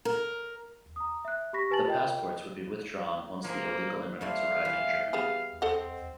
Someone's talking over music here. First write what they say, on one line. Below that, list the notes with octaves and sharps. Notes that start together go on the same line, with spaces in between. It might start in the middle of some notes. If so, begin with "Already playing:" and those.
The passports would be withdrawn once the illegal immigrants arrived in Germany.
A#4
A#5 D#6
E5 F#6
G4 B5 C#6 A#6 B6
G4 B4 G#5 A5 A6 F#7
F4 A#4 D#5 G5
F3 A#3 G#4
G3 A3 C4 F5
E3
B3 G4 G#4 F5
C4 A4 D#5 F#5